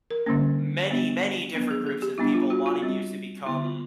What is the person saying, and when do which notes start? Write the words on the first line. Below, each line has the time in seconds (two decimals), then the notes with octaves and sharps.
many, many different groups of people wanting you to become
0.11 A#4
0.26 D3 G3 A#3 C#4
0.90 G3 B3 D4
1.54 D#3 F#3 B3 D4
1.71 G#4
1.87 G#4
2.02 G4
2.18 G3 B3 D4 E4
2.34 F4
2.50 F#4
2.66 F4
2.82 G3 C4
3.46 D3 G3 B3 E4
3.63 F4